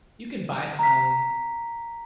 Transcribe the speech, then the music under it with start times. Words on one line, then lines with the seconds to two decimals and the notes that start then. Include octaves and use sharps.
you can buy some
0.79 A#5 B6